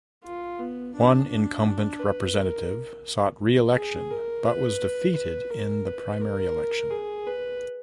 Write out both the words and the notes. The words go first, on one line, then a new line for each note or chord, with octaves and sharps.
One incumbent representative sought reelection but was defeated in the primary election.
F4
B3
D4
D4
B4
A#4
G#4
A#4
B4
B4
A#4
B4
A#4
G#4
B4